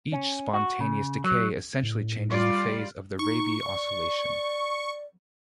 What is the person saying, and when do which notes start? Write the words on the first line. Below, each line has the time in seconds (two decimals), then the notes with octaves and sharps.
Each spontaneous decay essentially changes the phase of the Rabi oscillation.
0.12 C#4
0.54 F#4
0.80 C#3
1.24 F#3
1.83 A2
2.30 G3 F4 D5
3.19 D#4 C#6
3.65 D5